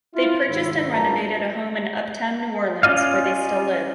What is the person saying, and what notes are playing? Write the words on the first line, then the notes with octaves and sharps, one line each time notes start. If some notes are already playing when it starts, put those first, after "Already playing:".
They purchased and renovated a home in Uptown New Orleans, where they still live.
E4 F4
C2 G#2 D#3 E4
F#2 D4 F4 B4 A5 A#5
C#4 F4 D5 D#5 F5